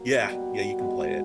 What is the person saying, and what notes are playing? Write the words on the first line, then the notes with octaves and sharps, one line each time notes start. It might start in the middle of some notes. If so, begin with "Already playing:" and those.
Yeah, yeah, you can play it.
Already playing: F#3 A#3
B2 G3 B3
B2 G#3 B3